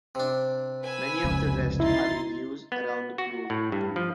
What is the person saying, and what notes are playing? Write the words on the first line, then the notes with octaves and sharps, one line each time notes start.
Many of the rest are in use around the globe.
C3 D4
B4 G#5 E6
F1 C#2 C#3
D#4 E4 C6 A6
B3
F#4
A2
G2
F3